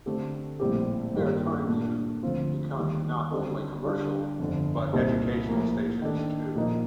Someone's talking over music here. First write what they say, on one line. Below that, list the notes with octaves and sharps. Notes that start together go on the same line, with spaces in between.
They are trying to become not only commercial but educational stations too.
D3 A3 C4 G4
A#1 A2 G3 C4 G4
G2 D#3 G3 A#3 F4
A#2 A3 D4
D2 D3 F3 C4 F4
D#2 D#3 G3
D3 G3 C4 D#4 A4
D3 G3 D4 A4
G1 F2 D3
C2 A#2 G3 C4 D#4
A2 F3 A#3
D#3 A3 D4 A4
A#2 F3 A#3 D#4 A#4